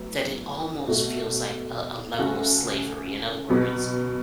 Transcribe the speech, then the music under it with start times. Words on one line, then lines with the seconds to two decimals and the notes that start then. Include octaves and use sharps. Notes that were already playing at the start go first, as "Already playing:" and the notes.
that it almost feels like a a level of slavery. In other words,
Already playing: A2 F#3 B3
0.88 B2 A3 F#4 A4
2.19 C#3 A3 F#4 A4
3.50 B2 F#3 B3